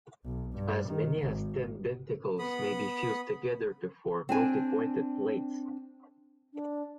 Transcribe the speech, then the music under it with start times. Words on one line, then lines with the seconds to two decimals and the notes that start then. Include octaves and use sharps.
As many as ten denticles may be fused together to form multi-pointed plates.
0.25 B1
0.54 G2
0.88 D#3
1.22 G#1
2.39 B3 B5 D#6
4.29 C4 D4 G#5
6.54 D4